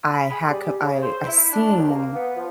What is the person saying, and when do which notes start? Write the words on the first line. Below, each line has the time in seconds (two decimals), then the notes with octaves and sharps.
I had co I I seen
0.13 B5
0.31 G#4
0.50 G3
0.81 C#3
1.02 C5
1.26 E4
1.52 D4
1.76 D#2
1.90 A#3
2.15 B3
2.35 F3